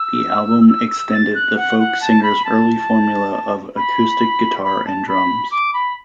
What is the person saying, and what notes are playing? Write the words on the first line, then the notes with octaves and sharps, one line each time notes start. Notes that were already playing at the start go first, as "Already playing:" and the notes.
The album extended the folk singer's early formula of acoustic guitar and drums.
Already playing: E6
E6
E6
A6
F#6
F#5
F#5
A5
B5
A5
B5
B5
A5
B5
D6
B5